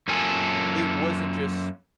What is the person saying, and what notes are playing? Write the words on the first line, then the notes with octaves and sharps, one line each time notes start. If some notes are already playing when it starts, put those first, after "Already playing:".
it wasn't just,
F#2 A#3 F4 A4 G#5